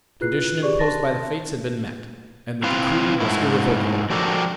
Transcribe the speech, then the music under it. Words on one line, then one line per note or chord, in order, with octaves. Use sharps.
The condition imposed by the Fates had been met, and the decree was irrevocable.
E4 F4 G#4 B4 F#6 C7
G4 G#4 D5 C#6
A5 C6 A6 A#6
C4 E4 F4 B4 F5
G#2 A3 E4
F3 D4 F#4 G4 A4 A#4